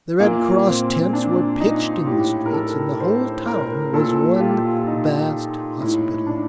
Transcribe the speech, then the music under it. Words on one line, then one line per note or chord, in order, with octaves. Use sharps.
The Red-Cross tents were pitched in the streets and the whole town was one vast hospital.
A#2 A#3
C4
D4
D#4
A2 G4
A#4
A4
C5
A#4
A#2 A4
G4
F4
F4
D#4
A2
D4